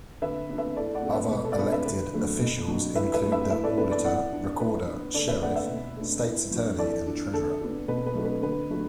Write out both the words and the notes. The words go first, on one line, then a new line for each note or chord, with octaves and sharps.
Other elected officials include the auditor, recorder, sheriff, state's attorney, and treasurer.
D3 B4 E5
B3 D4
B4 E5
A2 A4 D5
D5 F#5
A3 D4
B4 E5
B2 B4
A4
D5
B3 D4 B4
B4 E5
D3 B4
F#3 A3 D4
B2
F#3 D4
E3 B4 E5
B4 E5
A3 D4
B4 E5
A2 B4 E5
A4 D5
E3 B3 D4 B4
A4 D5
E3 D5 F#5
D4
E3 B4
B3 D4
D3 A4 D5
B4 E5
A3 D4 D5 F#5
B4 E5
B2
A3 D4
A2
F#3 D4
E3 A4 D5
D4
D3 A4
B3 D4
B2 B4
B4
F#3 A3 D4
B4
D3 B4
F#3 A3 D4